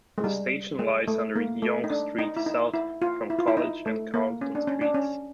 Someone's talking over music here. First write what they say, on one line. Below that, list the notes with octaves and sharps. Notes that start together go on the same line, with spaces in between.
The station lies under Yonge Street south from College and Carlton streets.
G#3
G3
G#3
A3
A#3
A3
D#4
D4
D#4
E4
D#4
E4
F4
E4
F4
E4
D#4
A3
A#3
C#4
D4
C#4
D4
C#4